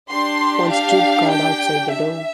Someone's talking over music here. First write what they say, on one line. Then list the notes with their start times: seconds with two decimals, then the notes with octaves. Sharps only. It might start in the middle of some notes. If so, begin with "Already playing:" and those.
One stood guard outside the door.
0.10 D4 G4 C6
0.71 F5
1.32 G5
1.92 E5